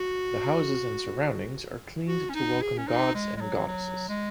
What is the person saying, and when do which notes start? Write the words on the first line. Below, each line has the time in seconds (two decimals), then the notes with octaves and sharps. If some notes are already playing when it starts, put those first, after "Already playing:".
The houses and surroundings are cleaned to welcome gods and goddesses.
Already playing: F#4
2.08 F#4
2.29 C#4
2.34 D#4
2.61 G#4
2.78 C#4
2.88 D#4
3.14 G#3
3.37 G#3
3.41 F#3
3.67 F#3
4.09 G#3